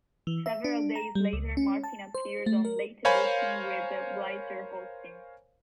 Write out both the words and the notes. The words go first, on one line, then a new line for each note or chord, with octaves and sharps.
Several days later Martin appeared on "Late Edition," with Blitzer hosting.
E3
E5
D4
A#5
G3
C#2
C#4
A5
C5
A3
A#4
A#4 C5 C#5 F5 G#5 B5